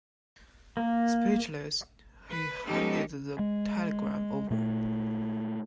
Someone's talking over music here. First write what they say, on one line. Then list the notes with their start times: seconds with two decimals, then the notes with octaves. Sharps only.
Speechless, he handed the telegram over.
0.77 A#3
2.30 B4
2.67 G#3 B3 C#4 D#4 G4 A4
3.39 G#3
4.51 A#2 A3